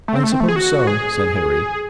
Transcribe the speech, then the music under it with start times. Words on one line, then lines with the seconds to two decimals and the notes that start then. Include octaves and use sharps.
"I suppose so," said Harry.
0.08 A3
0.15 C4
0.24 A3
0.32 C4
0.40 A3
0.49 G#4
0.56 F#4
0.87 G#4